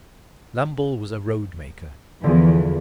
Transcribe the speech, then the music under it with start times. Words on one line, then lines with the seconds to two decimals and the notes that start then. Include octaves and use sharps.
Lambole was a roadmaker.
2.24 E2 D3 F3 G#4